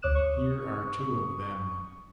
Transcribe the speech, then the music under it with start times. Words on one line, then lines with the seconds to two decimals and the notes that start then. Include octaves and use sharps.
Here are two of them.
0.02 D2 C#5 D6 D#6 F#6 E7
0.15 C#6 D#6